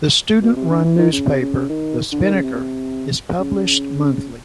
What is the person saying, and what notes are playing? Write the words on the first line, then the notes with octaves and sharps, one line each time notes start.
The student-run newspaper "The Spinnaker" is published monthly.
B2
C3
D3
E3
D#3
C#3
C3
C#3
C#3
D#3
D3
D#3
C#3
C3
C3
C#3